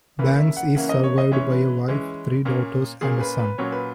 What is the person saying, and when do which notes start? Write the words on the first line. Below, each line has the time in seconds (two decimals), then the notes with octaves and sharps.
Banks is survived by a wife, three daughters and a son.
0.19 C#3 E3 A#3 C#4 B4
0.38 E5
0.56 F#5
0.75 C#3 E3 A#3 C#4 F#5
0.89 D#5
1.04 C#5
1.18 D#5
1.32 E3 G#3 C#4 C#5
1.50 B4
1.88 E3 G#3 C#4
2.45 A#2 A#3 C#4
3.01 A#2 A#3 C#4 G#4
3.21 B4
3.39 B4
3.58 A#2 F#3 C#4 C#5
3.72 B4